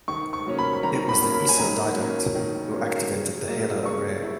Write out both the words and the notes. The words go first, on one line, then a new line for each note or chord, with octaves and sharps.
It was the IsoDidact who activated the Halo Array.
D#3 C#6
C#6
F#3 A#3 C#4
B5
B5
D#3 A#5
B5
F#3 A#3 C#4
B5
G#5
D#3 A#5
F#3 A#3 C#4
D#3
F#3 A#3 C#4
C#3
F#3 A#3 E4
C#3 C#6
E4